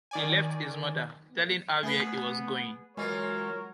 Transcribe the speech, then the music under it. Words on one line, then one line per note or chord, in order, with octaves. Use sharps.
He left his mother, telling her where he was going.
D#3 D5 G#5
A3 B3 G#4 B4
E3 F#3 G#3 F4 A#4 C#5